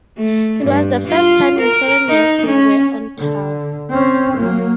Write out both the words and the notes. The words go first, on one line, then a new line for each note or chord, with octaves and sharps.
It was the first time in seven years they were on tour.
A3
G2
F4
A#4
D#4
C#4
D3
C4 C#4
F#3 A#3